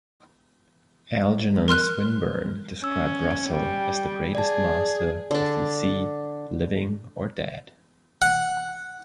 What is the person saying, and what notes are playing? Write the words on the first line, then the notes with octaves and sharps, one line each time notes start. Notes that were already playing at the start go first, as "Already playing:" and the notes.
Algernon Swinburne described Russell as the greatest master of the sea, living or dead.
A#4 C6 F6 F#6
C#4 E6
G3
G#4 D5 A5
D3 D4
F#5